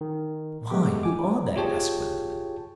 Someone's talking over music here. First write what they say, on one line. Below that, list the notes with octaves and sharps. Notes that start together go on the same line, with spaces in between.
"Why, who are they?" asked Gwendolen.
D#3
G#3 A3 B3 G4
G#5 D6
F4 G4 G#4 C#5 G5 A5